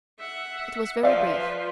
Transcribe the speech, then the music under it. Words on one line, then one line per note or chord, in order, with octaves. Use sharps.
It was very brief.
E5 F#5
F3 B4 D5 E5 F5